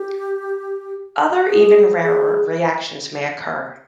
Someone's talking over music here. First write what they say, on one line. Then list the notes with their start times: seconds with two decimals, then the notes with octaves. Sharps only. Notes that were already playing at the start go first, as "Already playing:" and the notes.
Other even-rarer reactions may occur.
Already playing: G4
1.45 G#4
2.02 G#4